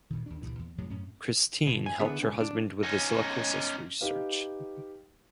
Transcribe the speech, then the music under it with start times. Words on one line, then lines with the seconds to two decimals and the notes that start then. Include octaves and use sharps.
Christine helps her husband with his silicosis research.
0.10 D2 A#2 D#3
0.26 D#2 D4
0.41 C#2 G2 A#2 E3
0.59 E2
0.78 F2 A2 C3 F#3
0.90 F#2 A2 C#4
1.67 B2
1.86 G#5
2.00 E2 D3 B3 D4 G#4 E5
2.22 C#2 A#2 C#3
2.41 D4
2.83 C#4 D#4
4.01 D#4 G4 B4 F5